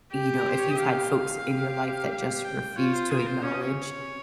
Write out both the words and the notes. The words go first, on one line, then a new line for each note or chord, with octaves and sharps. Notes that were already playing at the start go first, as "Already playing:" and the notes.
you know, if you've had folks in your life that just refuse to acknowledge
G4
A#4
C5
C#5
D#5
F5
G4
F5
G5
F4 C#5
C5
G#4
A#4
C5
C#4 C#5
D#5
C#5